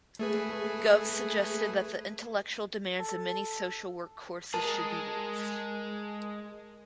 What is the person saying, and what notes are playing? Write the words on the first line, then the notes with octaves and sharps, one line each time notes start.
Gove suggested that the intellectual demands of many social work courses should be raised.
A3 G#4 B4
A4
G#3 G#4 A#4 A5